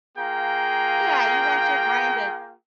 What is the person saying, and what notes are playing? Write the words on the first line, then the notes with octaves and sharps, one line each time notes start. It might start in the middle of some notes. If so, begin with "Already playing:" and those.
Yeah, you want your brain to
A#3 F4 G#4 G5 A#5